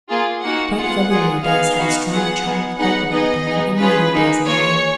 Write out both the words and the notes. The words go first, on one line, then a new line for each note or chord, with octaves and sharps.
Bright February days have a stronger charm of hope about them than any other days in the year.
A#3 F4 G#4
A#3 D#4 F#4 F#5
B3 F4 G#4 F#5
A#3 F4 G#4
B3 D#4 G#4 F5
B3 D#4 F#4
B3 F4 G#4 F#5
B3 D#4 G#4
B3 D#4 G#4 F#5
B3 D#4 G#4 D#5
B3 D#4 G#4
C#4 F4 G#4 B4
A#3 D#4 G#4
A#3 F4 G#4 C#5